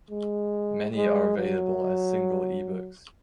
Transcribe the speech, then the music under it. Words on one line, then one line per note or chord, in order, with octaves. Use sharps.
Many are available as single ebooks.
G#3
G#3
F#3